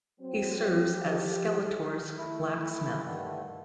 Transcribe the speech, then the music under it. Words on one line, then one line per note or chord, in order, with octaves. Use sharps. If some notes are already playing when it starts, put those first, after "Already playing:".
He serves as Skeletor's blacksmith.
F#3 C4
F3 G4
A3 E4
G2 D3 D#3 A3